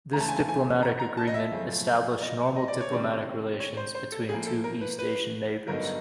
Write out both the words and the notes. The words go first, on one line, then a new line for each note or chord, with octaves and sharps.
This diplomatic agreement established "normal" diplomatic relations between two East Asian neighbors.
C#2 C#3 E3 A3 A#5
A5
G#5
A5
G#5
A#5
A#5
A5
D#5
E5
F#2 C#3 F3 A3
D#5
D#5
D5
C#5
C3 D#3 G#3 C#4 D5
C#5
C5
C5
A4
A2 F3 A#3 G#4
A4
A#4
B4
B4
G2 D3 F#3 B3 D#4 A#4